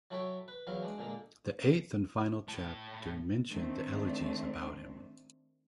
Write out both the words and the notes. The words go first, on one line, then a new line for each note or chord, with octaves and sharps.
The eighth and final chapter mentioned the elegies about him.
F#3 E4 A4 C#5 E5 G5
B4
E2 F#3 E4 F5
G#3 D4
A#2 D3 G#3 A#3
A2 A5
D#3 A3 C4 D4